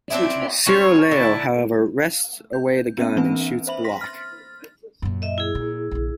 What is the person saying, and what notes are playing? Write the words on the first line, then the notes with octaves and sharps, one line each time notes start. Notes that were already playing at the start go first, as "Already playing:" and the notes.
Siroleo, however, wrests away the gun and shoots Block.
C4 D4 E4 E5
F#3 C#4 C5 C#5 C#6
D3 E4 A5
G6
B3 C#4 E5 D#7
E3 A#3 C4 D4 B4
C5 E5 B5 F#7
C6 A#6 B6
F6 A6
F#2 A#2
D#5 E5
E4 G#4
A#2
A#1 D3